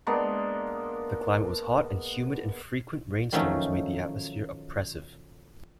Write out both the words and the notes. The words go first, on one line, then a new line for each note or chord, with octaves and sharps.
The climate was hot and humid and frequent rainstorms made the atmosphere oppressive.
G#3 A#3 B3 D4
D#3 F3 F#3 A3 C#4 D#4